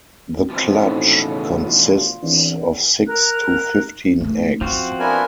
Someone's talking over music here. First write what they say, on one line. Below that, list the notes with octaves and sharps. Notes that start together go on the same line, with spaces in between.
The clutch consists of six to fifteen eggs.
B2 E3 F3 C4
A2 C#4 D#4
C#3
D2 F4
E2 E3 C4 D4
A#4 F#6
A3 D#4
F3 C4 C#4 F#4
B3 D4 E4 F4 A#4 G#5